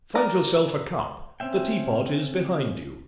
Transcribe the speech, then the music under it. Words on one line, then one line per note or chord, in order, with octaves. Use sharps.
Find yourself a cup; the teapot is behind you.
A#4 D5
C4 C#4 E5 G5